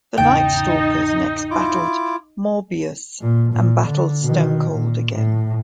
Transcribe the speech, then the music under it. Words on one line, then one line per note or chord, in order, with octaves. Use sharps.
The Nightstalkers next battled Morbius, and battled Stonecold again.
G#1 E2 C#3 D#4 G5 A5
E4 F4 D6
A#2
A#2
D3
B2 D#3
A#2
A2